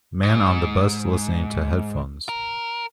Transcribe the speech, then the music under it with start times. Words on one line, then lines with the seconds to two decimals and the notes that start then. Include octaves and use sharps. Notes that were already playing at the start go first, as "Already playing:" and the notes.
Man on the bus listening to headphones.
0.23 G#2
2.29 A#4